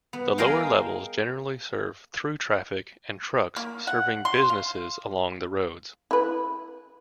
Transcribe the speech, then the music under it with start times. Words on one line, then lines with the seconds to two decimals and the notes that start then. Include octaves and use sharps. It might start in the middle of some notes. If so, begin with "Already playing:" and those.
The lower levels generally serve through-traffic and trucks serving businesses along the roads.
0.13 B3
0.38 G#4 A#4 D#5 F5 G5
3.56 A#3
3.87 F#5
4.25 C6
4.50 F5
6.11 E4 B4